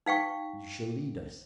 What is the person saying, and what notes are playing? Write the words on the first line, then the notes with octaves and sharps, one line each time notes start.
You shall lead us.
D#4 F5 G5 C#6